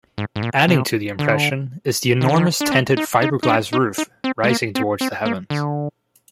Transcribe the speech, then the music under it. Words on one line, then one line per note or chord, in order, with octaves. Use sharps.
Adding to the impression is the enormous tented fiberglass roof rising towards the heavens.
G#2
G#2
A#2
C3
D3
D#3
D3
D#3
D4
C4
D#4
D#4
D#4
D4
D#4
D#4
C4
G#3
A#3
C4
C4
A#3
D3